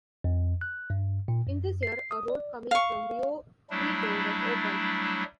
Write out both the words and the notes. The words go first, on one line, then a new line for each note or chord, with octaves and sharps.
In this year, a road coming from Rio Preto was open.
F2
F#6
G2
A#2
F#2
C7
D#6
D5
F5 C#6
F#3 G3 A3 D4 E4